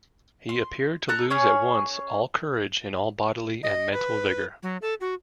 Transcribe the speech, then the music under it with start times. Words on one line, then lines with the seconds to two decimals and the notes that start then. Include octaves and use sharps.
He appeared to lose at once all courage and all bodily and mental vigour.
0.49 C6
1.09 A4 A#5 F#6
1.30 C#4 G#4 C#5
3.63 D#5
3.92 B4
4.63 F#3
4.82 A4
5.01 F#4